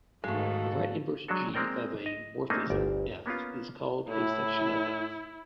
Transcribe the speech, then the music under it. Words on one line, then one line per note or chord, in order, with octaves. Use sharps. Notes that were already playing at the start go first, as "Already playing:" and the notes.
A right inverse "g" of a morphism "f" is called a section of "f".
G#2 D#3 G#3 A3 F#4 A4 F5
F#3 G#3 D4 F#4 A4
G#3 A#3 C4 A#4 D5 G5
D#5
A3 A#3 C4 D4 D#4 G#4
G1 D2 D5
A#3 B3 C#4 F4
A2 E4